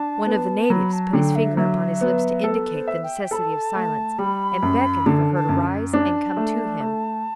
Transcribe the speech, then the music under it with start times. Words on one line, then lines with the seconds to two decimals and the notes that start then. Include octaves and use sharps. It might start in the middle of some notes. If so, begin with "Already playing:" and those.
One of the natives put his finger upon his lips to indicate the necessity of silence, and beckoned for her to rise and come to him.
Already playing: D4 A5
0.27 B3
0.70 F#3 B5
0.92 A5
1.13 D3 G5
1.35 E5
1.57 F#3 E5
2.01 B3
2.44 A4
2.73 C5
2.88 E5
3.03 G5
3.31 A4 B5
3.35 A5
3.75 A3
4.18 G3 B5
4.62 F#2
5.06 D3 A5
5.35 A5
5.49 F#2
5.93 D4 A5
6.37 A3
6.80 A3